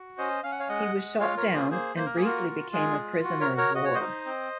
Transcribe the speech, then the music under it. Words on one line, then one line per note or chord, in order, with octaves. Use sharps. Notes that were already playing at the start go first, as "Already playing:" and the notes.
He was shot down and briefly became a prisoner of war.
Already playing: F#4
C#4 C5 D#5
C#4 F5
F#5
C#5 F5
G#3 D#5 F#5
G#3
F4 C#5 F5
A#4 C#5
A#3
G#4 C5
A#3 G#4 C5
A#3 C5
A#4
G#4
F4 F#4 A#4
F4
G#3 G#4
F4
F#4
A#4 C#5
F#4
A#4 C#5
F#4 D#5
C#5
C5 D#5
D#4
C4